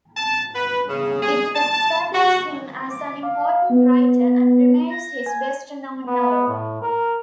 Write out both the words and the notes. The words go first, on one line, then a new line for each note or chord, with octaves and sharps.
It established him as an important writer and remains his best known novel.
A5
B4
C#3
G#4
A5
F#4
D6
F5
B3
A#6
G#5
B3
A2
A#4